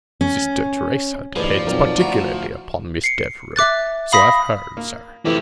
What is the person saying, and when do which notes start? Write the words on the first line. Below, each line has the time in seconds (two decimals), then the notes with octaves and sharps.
Sister Theresa depends particularly upon Miss Devereux,—so I’ve heard, sir.
0.21 C#4
1.36 A1 D#3 F3 G#4 B4 D5
1.67 B1 F2 C4 D#4 A#4
1.98 D2 E4 F#4 A#5
3.04 C7 C#7
3.56 E5 D6 F#6 A6
4.12 F5 B5 D#6 A#6 B6
4.77 A#3
5.25 E3 F3 A3 C4 E4 G4